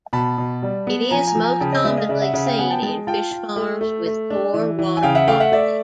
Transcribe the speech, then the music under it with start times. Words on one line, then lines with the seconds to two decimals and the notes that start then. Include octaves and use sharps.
It is most commonly seen in fish farms with poor water quality.
0.13 B2 A5 B5
0.38 B2
0.63 G3
0.87 B3
1.11 F3 G#5 A#5
1.27 G#5 A#5
1.35 F3
1.43 G#5 A#5
1.60 C#3 G5 A5
1.72 C#5 D#5
1.84 G#3 D5 E5
1.96 D#5 F5
2.09 C#3 D5 E5
2.21 E5 F#5
2.33 C#3 E5 F#5
2.46 F5 G5
2.58 B3 F#5 G#5
2.70 G5 A5
2.82 G#3 G5 A5
3.07 F4 G5 A5
3.31 F4
3.56 A3
3.81 A3
4.06 A3
4.30 D4
4.54 E3
4.79 E3
4.97 G#5
5.03 C#3 F5 G5
5.15 E5 F#5
5.27 A3 F5 G5
5.40 E5 F#5
5.52 A3 D5 E5